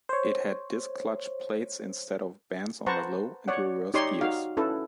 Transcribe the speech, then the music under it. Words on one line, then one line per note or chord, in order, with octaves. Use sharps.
It had disc clutch plates instead of bands on the low and reverse gears.
C5 C#5
B4 C5 F#5 A5 A#5 C#6
C#5 D5 F#5
D#4 G4 C#5 D5 C6
D#4 F#4 F5
C#4 E4 A4 B4